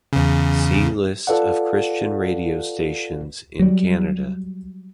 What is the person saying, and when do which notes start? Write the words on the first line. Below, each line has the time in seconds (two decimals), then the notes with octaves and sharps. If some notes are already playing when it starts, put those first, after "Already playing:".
See List of Christian radio stations in Canada.
0.13 E2 C#3
1.27 F4 A4 B4 D5 F5 F#5
3.60 F#3 G3